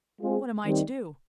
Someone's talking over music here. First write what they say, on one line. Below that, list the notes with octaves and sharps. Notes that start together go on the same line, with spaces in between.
"What am I to do?"
G#3 C4 F4 G#4
D#3 G3 C4 D#4 G4